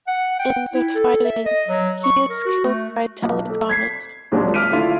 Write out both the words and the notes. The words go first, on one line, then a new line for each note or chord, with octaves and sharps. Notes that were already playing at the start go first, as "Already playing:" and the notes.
In the fighting, he is killed by Telegonus.
F#5
G5
E4
A4
E5
D#5
F#3
C#6
A#4
F#4
A3
B1
A4
G#6 B6 C7
D#2 A#2 F#3 G#3 C4 D4
D6 F6 B6 D7 D#7
D3 A3 E4 F4